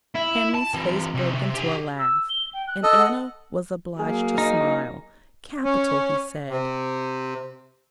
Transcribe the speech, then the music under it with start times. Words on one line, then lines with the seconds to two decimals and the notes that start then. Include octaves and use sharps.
Henry's face broke into a laugh, and Anna was obliged to smile. 'Capital!' he said.
0.15 E4
0.54 A5
0.74 E3 C4
1.15 C2
1.35 C3
1.54 G4 G#5
1.98 E6
2.28 G7
2.53 G5
2.67 F#6
2.83 A4 D#5
2.98 F#5
4.00 F#3 A#3 G#4
4.38 D#4
5.64 C#4
6.49 C3